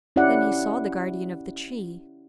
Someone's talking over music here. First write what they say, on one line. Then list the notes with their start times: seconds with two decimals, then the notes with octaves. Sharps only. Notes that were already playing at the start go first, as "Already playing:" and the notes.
Then he saw the guardian of the tree.
0.16 C#4 E4 G4 D5 F#5